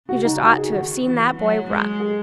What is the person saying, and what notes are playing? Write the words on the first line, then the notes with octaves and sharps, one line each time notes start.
You just ought to have seen that boy run!
C#3 F#4
D#4
F#4
G#4
D#3 F#4
E3
F#3
G#3
G#4